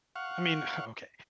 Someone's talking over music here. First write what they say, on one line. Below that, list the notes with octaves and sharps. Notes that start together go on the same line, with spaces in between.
I mean, okay,
F5 F#5 C#6